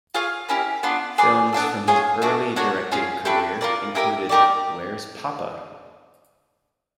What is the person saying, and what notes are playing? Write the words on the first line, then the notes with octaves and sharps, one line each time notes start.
Films from his early directing career included Where's Poppa?
F4 G#4 C#5 F5
A#3 C#4 E4 G4
B3 D4 F4
G#4 B4 D5
B3 D4 F4 A4
F4 G#4 C#5
A3 D4 F#4
D4 F#4 A#4 C#5
C#4 F4 G#4
A3 D4 G4 B4
F4 A#4 D5
E4 G4 A#4 D#5
D#4 G4 A#4 D5